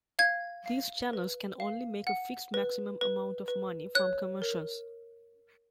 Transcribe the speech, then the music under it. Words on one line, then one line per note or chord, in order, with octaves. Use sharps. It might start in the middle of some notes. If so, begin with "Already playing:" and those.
These channels can only make a fixed maximum amount of money from commercials.
F5 G#6
F5
B4
F5
F#5
B4
B4
B4
C#5 F#6
A#4